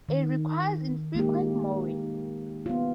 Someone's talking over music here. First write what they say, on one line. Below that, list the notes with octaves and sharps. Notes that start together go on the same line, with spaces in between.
It requires infrequent mowing.
D#3
G#3 A#3 D#4 G4
B3 F4